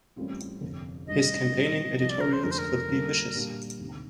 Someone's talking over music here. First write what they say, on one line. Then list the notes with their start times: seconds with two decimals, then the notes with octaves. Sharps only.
His campaigning editorials could be vicious.
0.16 A1 A2 G3 C4 F4
0.61 G1 F2 C3
1.07 A1 G2 D#3 G3 D4 D#5
1.53 A1 A2 G3 C4
1.98 C2 C3 F3 D#5
2.09 D5
2.21 A#4
2.33 C5
2.44 F2 D3 A3 D4 A4 A#4
2.51 C5
2.58 A#4
2.89 D3 G3 A#3 D4 A4
3.34 A#2 G3 A#3 D4 G4
3.80 D2 C3 D#3